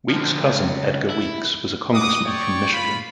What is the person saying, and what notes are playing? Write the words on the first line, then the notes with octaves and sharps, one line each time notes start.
Weeks's cousin, Edgar Weeks, was a congressman from Michigan.
D3 F3
C#2
E4
F#4 D6 D#6
C#5 D5 G5 C#6
F4 B5